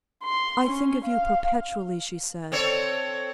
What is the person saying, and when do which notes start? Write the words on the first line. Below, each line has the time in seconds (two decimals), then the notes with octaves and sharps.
"I think of you perpetually," she said.
0.24 C6
0.67 C#4
1.04 F5
2.52 C4 A4 C#5